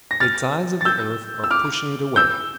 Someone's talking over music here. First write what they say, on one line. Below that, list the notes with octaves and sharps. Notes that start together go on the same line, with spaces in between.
The tides of the earth are pushing it away.
A#6
F6 A6
A6
E6 G6
E6
D6 F6
E6 G6